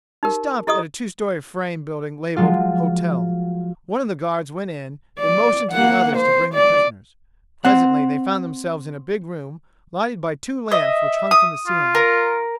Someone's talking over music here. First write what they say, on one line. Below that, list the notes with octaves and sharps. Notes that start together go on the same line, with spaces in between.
They stopped at a two-story frame building labeled "Hotel." One of the guards went in, then motioned to the others to bring the prisoners. Presently they found themselves in a big room, lighted by two lamps which hung from the ceiling.
D#4 G4 A#4
E4 G4 A4 D#5 C#6 D#6
F3 F#3 G#3 F4
D5
A#3 F#5
C5
D5
C4 F#5
D#5 E5
D#6
F4
A#4